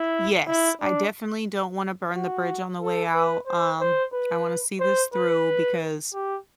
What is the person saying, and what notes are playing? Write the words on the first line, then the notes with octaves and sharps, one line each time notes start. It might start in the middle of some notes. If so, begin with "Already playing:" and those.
Yes, I definitely don't wanna burn the bridge on the way out, um, I wanna see this through, because
Already playing: E4
E4
D4
F#4
A4
B4
C5
C5
B4
C5
B4
G4